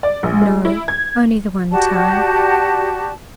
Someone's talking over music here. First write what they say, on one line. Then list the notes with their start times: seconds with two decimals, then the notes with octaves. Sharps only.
"No, only the one time."
0.03 D5
0.23 A#1
0.41 G#3
0.65 E4
0.88 G#6
1.71 F#4 G4 D5 A5